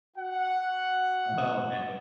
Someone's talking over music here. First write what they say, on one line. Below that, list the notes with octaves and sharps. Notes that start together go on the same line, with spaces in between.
Oh, man.
F#4 F#5